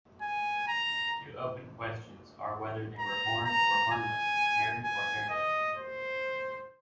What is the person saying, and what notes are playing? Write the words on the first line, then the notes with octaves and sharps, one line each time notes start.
Two open questions are whether they were horned or hornless, hairy or hairless.
G#5
A#5
A#5
A#5
G#5
G#5
D#5
C5